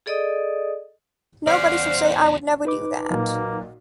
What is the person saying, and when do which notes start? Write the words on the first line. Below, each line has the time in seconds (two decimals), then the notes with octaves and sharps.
Nobody should say “I would never do that”.
0.06 G#4 A4 D5 D#5 D#6
1.47 E2 C#4 C5 D5 F5 F#5
2.65 D#4 B4 D6
3.10 B1 A#2 A#3